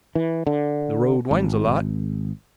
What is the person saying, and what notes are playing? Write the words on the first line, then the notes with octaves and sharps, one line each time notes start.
The road winds a lot.
E3
D3
G#1